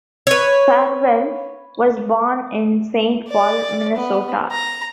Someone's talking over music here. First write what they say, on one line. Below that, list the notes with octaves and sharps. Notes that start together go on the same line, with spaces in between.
Farwell was born in Saint Paul, Minnesota.
B4 C#5
D5
B3
A#5